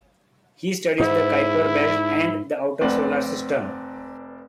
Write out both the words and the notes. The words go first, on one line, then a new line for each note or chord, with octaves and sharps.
He studies the Kuiper belt and the outer Solar System.
G#2 E4
F1 C4 B4 D5 F#5 F#7